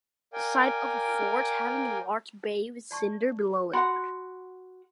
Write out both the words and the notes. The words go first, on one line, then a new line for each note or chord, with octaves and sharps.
The site of a forge having a large bay with cinder below it.
A#4 D5 F5 G5 G#5
D5 A5 C#6
F#4 F#5 G5 B5 C6